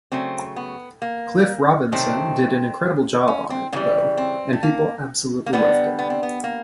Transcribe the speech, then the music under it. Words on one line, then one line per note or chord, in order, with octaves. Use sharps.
Cliff Robinson did an incredible job on it, though, and people absolutely loved it.
C#3 F#3 A3 C4
B3
A#3
C3 D#3 F#3 A3 C4
C#4
C4
C#3 E3 G3 A#3
C4
A3
A#3
A#3
D3 G3 B3
B3
C4
B3
A#3